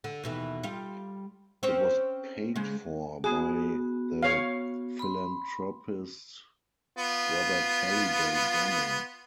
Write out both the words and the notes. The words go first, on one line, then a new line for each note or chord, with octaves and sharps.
It was paid for by the philanthropist Robert Halliday Gunning.
D3
D#2 B2 E3
G3 F4
C4 C#4 C5
C#3 G#3
B3 F#4 G#4
C#5 F5
B5 C6
B3 F4